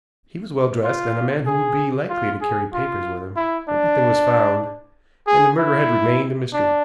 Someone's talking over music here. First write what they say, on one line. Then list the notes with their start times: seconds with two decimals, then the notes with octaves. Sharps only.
He was well dressed, and a man who would be likely to carry papers with him, but nothing was found, and the murder had remained a mystery.
0.84 F4
1.47 G#4
2.09 F4
2.41 G#4
2.73 F4
3.36 E4
3.69 D4
5.27 G#4
5.58 E4
6.53 D4